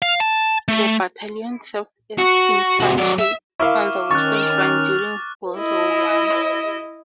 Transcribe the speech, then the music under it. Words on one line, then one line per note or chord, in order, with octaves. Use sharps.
The battalion served as infantry on the Western Front during World War One.
F5
A5
A3
F#4
C3 F#4
F#3 D5
E5
E4 A#4 F5 C#6 D6 F6
D#3 C#4 C#6 F6 F#6 A6
E4 D#5